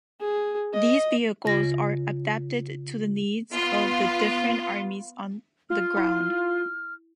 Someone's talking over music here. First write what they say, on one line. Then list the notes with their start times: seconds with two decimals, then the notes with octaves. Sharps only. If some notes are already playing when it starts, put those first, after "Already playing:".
These vehicles are adapted to the needs of the different armies on the ground.
0.20 G#4
0.73 D#5
1.45 C#3 F4 A#6
3.54 B3 F4
5.70 F4 F6
5.97 E4